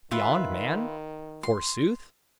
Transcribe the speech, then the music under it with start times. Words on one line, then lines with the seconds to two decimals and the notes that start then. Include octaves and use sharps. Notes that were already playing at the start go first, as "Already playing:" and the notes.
Beyond man, forsooth?
0.11 D#3 F4 B4 E5
1.43 C6